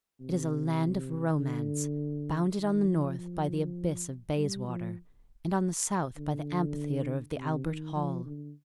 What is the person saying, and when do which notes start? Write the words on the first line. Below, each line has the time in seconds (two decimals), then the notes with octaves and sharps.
It is a land of romance, bounded on the north by the Abyss of Bayswater, and on the south by the Amphitheatre of the Albert Hall.
0.20 C3
1.40 D3
2.58 D#3
2.88 F3
3.18 F3
4.37 G3
4.68 F3
6.16 D3
7.36 C3
7.65 D#3
7.95 F3
8.25 D3